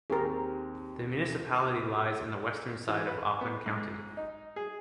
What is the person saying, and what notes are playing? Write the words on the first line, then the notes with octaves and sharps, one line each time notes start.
The municipality lies in the western side of Oppland county.
D#2 C4 G4 G#4 A#4
E3
B4
B3
G#2
D#4
G#4